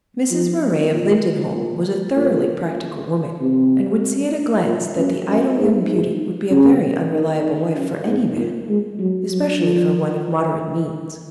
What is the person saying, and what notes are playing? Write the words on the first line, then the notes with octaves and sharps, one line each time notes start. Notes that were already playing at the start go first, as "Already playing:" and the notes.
Mrs. Moray of Lindenholm was a thoroughly practical woman, and would see at a glance that the idle young beauty would be a very unreliable wife for any man, especially for one of moderate means.
F3
A#2
A#2
A#2
C3
A#2
F#2
F#2
G#2
G#2
C#3
D#3
F#2
G#2
A#2
G#3
F#3
F#3
F3